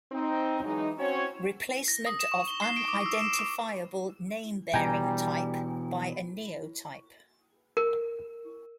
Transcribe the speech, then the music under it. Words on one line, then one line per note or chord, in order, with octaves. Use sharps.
Replacement of unidentifiable name-bearing type by a neotype.
C4 D#4
E3 F#3 G#3 D#4
C4 C#4 F#4 C#5
A#6
D#6
E7
C#6
G7
C7
D7
D6
E6
E7
D6
B2 E3 G3 G5 G#5 A#5
A#4